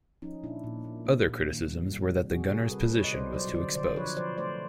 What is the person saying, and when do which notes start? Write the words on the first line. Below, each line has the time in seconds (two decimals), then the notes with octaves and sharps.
Other criticisms were that the gunner's position was too exposed.
0.22 F3 C#4 D#4
0.43 A#2 D4 E4
0.64 A#2
0.84 A#3
1.05 A#3
1.26 A#2
1.46 D#3
1.68 G3
1.88 G3
2.10 C3
2.30 C3 F#4 G#4
2.50 C3 G#4 A#4
2.71 G3 A4 B4
2.92 B2 B4 C#5
3.04 D#5
3.13 B2 C5 D5
3.33 F#3 C5 D5
3.55 D3 C5 D5
3.75 D3 C5 D5
3.96 F3 B4 C#5
4.17 F3 C5 D5
4.37 A3 C5 D5